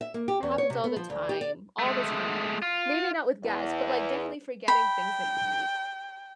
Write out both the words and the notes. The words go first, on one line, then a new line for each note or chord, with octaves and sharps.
That happens all the time. All the time. Maybe not with gas, but, like, definitely forgetting things that you need.
E5
A#3
G4
E2
C#5
C3
B3
F3
D2
G4
D5
G#3 A3
F4
E2
G5 B5